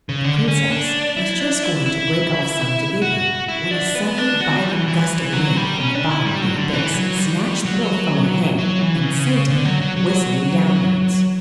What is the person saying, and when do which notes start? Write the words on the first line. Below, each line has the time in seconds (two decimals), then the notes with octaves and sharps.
The princess was just going to break off some to give him, when a sudden violent gust of wind from the bottom of the abyss snatched the loaf from her hand, and sent it whistling downwards.
0.09 C#3
0.24 D3
0.48 C#4
0.71 D4
1.17 E4
1.40 D4
1.63 E4
1.86 E4
3.02 F#4
3.48 E4
3.71 D4
3.95 B3
4.18 D4
4.40 F#4
4.56 G3
4.72 E3
4.88 E3
5.33 F#3
5.57 G3
5.80 C#4
5.95 D4
6.10 E4
6.26 G3
6.42 F#3
6.56 D3
6.73 E3
6.95 F#3
7.18 G3
7.66 F#3
8.58 F#3
8.81 E3
9.03 C#3
9.50 D3
9.65 F#3
9.81 F#3
9.96 F#3